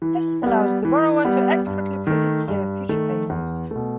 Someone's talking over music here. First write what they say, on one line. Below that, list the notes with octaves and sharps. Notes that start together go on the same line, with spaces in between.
This allows the borrower to accurately predict their future payments.
E3
G3 B3
E3
G3 B3
G2
D#3 A3
G2
D#3 A3
E2
B2 A3